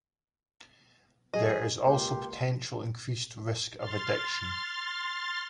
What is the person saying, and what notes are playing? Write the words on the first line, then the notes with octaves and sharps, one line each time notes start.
There is also a potential increased risk of addiction.
F#3 G#4 D#5
C#2 A#3 G4 C6
C6 F6 A6